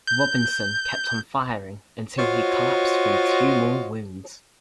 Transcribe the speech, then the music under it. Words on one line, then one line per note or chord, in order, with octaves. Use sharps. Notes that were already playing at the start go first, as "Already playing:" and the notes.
Robinson kept on firing until he collapsed from two more wounds.
G6
F4 F#4 C5 C#5 D#5